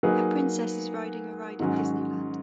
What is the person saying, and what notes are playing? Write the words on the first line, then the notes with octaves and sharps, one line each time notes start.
A princess is riding a ride at Disneyland.
F#3 A#3 D#4 G#4 B4
G#2 D#3 F#3 C#4